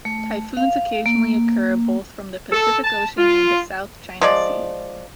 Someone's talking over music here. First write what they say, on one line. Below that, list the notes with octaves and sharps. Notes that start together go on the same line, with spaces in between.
Typhoons occasionally occur, both from the Pacific Ocean and the South China Sea.
A3
F5
A#3
A4
A5
F4
F3 G#3 D5